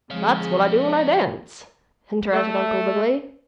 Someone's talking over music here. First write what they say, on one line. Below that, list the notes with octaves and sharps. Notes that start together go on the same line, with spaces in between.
"That's what I do when I dance," interrupted Uncle Wiggily.
F3 G#3 C4 C#5 F5
A3